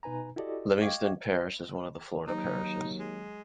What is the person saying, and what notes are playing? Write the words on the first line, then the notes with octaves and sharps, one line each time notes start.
Livingston Parish is one of the Florida Parishes.
B2 D#4 B4 G#5 A#5
E4 F#4 G4 A4 D5 D#5
D#5 F5 G5 C#6 D6 G#6
D#2 F#3 D#4
G#3